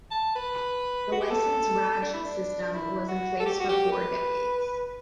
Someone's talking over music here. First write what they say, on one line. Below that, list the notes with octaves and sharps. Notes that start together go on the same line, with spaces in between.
The Licence Raj system was in place for four decades.
A5
B4
F#4
G4
A4
D4
E4
D4
E4
F#4
A4
G4
F#4
G4
B4